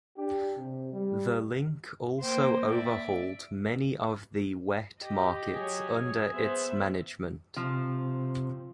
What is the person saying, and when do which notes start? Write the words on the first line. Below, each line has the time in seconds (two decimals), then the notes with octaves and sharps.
The Link also overhauled many of the wet markets under its management.
0.17 D4 G4
0.57 C3
0.91 G3
2.22 A#3 C5 G5
2.73 D5 E5
5.00 G4 D#5
5.55 F#3 G#4 C#5 G#5
6.33 B3 C5 E5
7.56 C3 F3